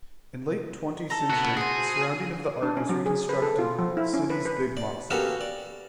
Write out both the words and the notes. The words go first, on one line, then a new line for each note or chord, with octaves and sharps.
In late twenty century the surrounding of the Ark is reconstructed city's big mosque.
A4 A#5
B3 F#4
F#4 G#4 C5
D4
C#4
F#3
G#4
B4
A4
F4
F3
E4
C#4
B4
B4
D5
A#3 B3 C#4 F#4 G4 A4
D5